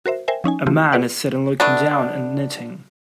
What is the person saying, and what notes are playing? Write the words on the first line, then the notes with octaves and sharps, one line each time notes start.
A man is sitting looking down and knitting.
F#4 A#4 C5 E5
A#4 C5 E5 G5 G#5
F3 C#4 D#4 G#5
E3 A3 C4 E4 F4 G4
F4 G#4 B4 D5 F#5
A3 B3 D4